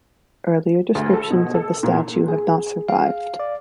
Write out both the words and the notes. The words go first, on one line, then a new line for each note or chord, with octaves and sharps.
Earlier descriptions of the statue have not survived.
D2
A4
B2
A4
A#2
G#4
F5
D5